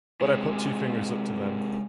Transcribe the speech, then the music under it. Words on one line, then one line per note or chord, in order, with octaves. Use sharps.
But I put two fingers up to them.
C3 G#3